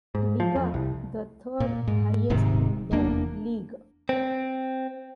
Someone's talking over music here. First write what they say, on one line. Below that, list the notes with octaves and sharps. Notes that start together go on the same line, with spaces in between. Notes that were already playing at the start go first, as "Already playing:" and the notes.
Liga, the third-highest in the league.
G#2
F3
F2
C2
A#2
G#2
D#1 G#2 C3 D#3
F1 E2 A#3 D4
C4